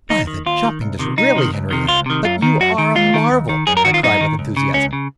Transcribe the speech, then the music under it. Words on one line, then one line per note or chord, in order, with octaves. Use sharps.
"By the jumping Disraeli, Henriette, but you are a marvel!" I cried, with enthusiasm.
D#2 D#4
D#3
D#2 F4
D#3
C2
C3 D#3
C2 D#4
C3 D#3
C#2
C3 D#3
C#2 F4
C3 D#3
F#2 F4
D#3
F#2 F#4
D#3
D#2 F4
D#3
D#2
D#3
F#2 G#4
A#4
D#3 F#4
F4
F#2 D#4
D#3
C#2
C#3
C#2 C#4
C#3